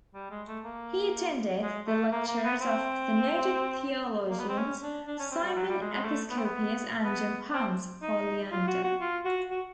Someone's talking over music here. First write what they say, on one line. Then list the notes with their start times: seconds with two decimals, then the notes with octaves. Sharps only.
He attended the lectures of the noted theologians, Simon Episcopius and Johannes Polyander.
0.14 G3
0.31 G#3
0.48 A3
0.65 A#3
1.62 G#3
1.87 A3
2.12 A#3
2.28 A#3
2.44 B3
2.61 C4
4.30 A#3
4.39 B3
4.49 C4
4.58 C#4
4.83 D4
5.07 D4
5.19 C#4
5.31 C4
5.44 G3
5.56 F#3
5.69 G3
5.81 G#3
5.93 G#3
6.05 A3
6.30 B3
6.37 C4
6.44 B3
7.04 B3
7.54 C4
8.02 D#4
8.52 F4
8.67 F#4
8.84 F#4
9.01 F4
9.25 F#4
9.50 F#4